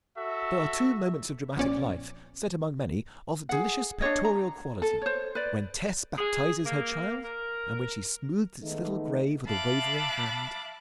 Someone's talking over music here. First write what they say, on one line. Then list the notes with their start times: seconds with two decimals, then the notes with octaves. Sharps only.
There are two moments of dramatic life set among many of delicious pictorial quality: when Tess baptizes her child, and when she smooths its little grave with a wavering hand.
0.18 F#4 A4 E5
1.56 A#1 B3 C#4 D5
3.49 G#4 F#5
4.01 D4 F#4 C#5 D#5
4.25 A#5
4.82 A4
5.02 C5 C#5
5.35 B4 D5
6.18 G#4
6.64 A#3
7.23 A#4
8.63 D#3 G#3 A3 B3 D#4
9.47 E5 F5 A5 B5 D6 F#6